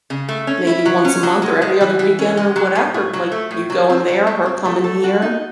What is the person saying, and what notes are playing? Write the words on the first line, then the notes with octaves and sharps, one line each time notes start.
maybe once a month or every other weekend or whatever, like you going there, her coming here.
C#3
A3
C#4
E4
F#3
C#4
F#3
G#3
G#3
E3
E3
C#4
G#3
F#3
A2
A2
F#3
A3
A2
F#3
C4
F#3
A2
C4
A3
A4
F#4
D#4